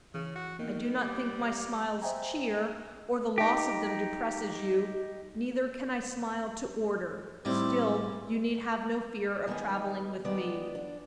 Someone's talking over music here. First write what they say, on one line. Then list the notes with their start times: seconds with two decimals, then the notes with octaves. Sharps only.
"I do not think my smiles cheer, or the loss of them depresses you. Neither can I smile to order; still you need have no fear of traveling with me."
0.14 C#3 E3
0.35 F#4
0.59 D#3 A#3 B3
1.01 G3
2.02 C5 D#5 E5 G5 G#5 A#5
3.38 D#4 G4
7.45 A2 G3 C4 D#4 E4
9.47 D#3 G#3 B3 D#4 G4 G#4
10.24 D#3 G#3 B3 D5
10.75 D4